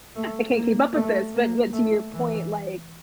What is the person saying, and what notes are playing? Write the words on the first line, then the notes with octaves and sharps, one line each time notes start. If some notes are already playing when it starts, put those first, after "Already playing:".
I can't keep up with this. But but to your point, like,
A3
A#3
A3
A#3
A3
E3